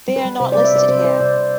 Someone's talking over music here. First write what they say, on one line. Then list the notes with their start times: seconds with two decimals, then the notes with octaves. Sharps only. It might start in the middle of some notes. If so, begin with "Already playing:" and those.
They are not listed here.
0.08 G3
0.16 B4
0.25 G3
0.40 C3 C5
0.52 D5
0.57 G3
0.65 E5
0.73 C3 D5
0.89 C3 C5
1.04 G3 C5
1.20 C3 D5
1.37 C3